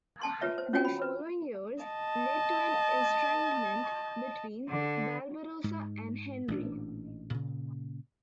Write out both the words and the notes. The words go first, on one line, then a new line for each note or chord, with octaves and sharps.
The following years led to an estrangement between Barbarossa and Henry.
G#5 A5 C6
F4 B4 C#5 E5
C5
C#4 F4 F#4 C#5 G5 G#5
B5
B4
D#5 A5
D3
G#2
A1 A#2 D4
A#2 C#3